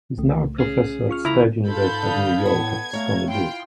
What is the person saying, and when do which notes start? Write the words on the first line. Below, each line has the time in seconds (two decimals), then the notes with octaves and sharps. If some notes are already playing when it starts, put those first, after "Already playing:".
He is now a professor at State University of New York at Stony Brook.
0.18 C2 C#3 A3
0.58 C#4 G#4
1.09 F4 C#6 F6
1.25 C#2 E4 A#5
1.68 G#2 F4 A4 B5 G6
2.03 D3 F5 D#6
2.46 A2 B3 A4 G#6
2.93 A3 C#5 F5 A#5
3.29 E4 F4 G5 C6